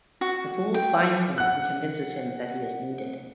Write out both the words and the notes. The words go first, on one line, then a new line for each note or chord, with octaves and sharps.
The Fool finds him and convinces him that he is needed.
F#4
G5
F#5 F#6